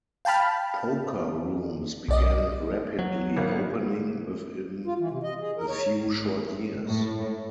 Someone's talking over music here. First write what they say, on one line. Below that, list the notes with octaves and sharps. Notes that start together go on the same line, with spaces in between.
Poker rooms began rapidly opening within a few short years.
F5 G5 A5 B5 F6
B1 D5 D#5
F#3
G#1 A#3
F4
E3
C3
D#5
G#4
A#4
C#5
G#1
A2